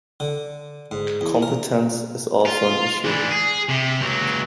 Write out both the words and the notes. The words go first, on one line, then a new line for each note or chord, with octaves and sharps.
Competence is also an issue.
D3
G#2
E2
A#4
F4
E3 D4
G#4
C3
C#2 F#3